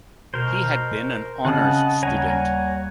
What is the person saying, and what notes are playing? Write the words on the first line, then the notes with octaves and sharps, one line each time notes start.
He had been an honors student.
B2 A#4 C5
C#3 C4 C#4 D#5 F#5 A5
D#2 G3 C#5 F#5 G#5 A#5